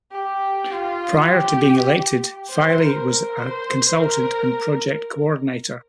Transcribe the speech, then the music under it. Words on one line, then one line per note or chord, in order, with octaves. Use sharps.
Prior to being elected, Faille was a consultant and project coordinator.
G4
F4
G4
C5
A#4
C5
A#4